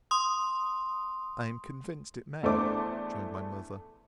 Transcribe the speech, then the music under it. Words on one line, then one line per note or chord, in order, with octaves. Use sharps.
I am convinced it may, joined my mother.
C6 D#6
E2 A3 D4 C5 D6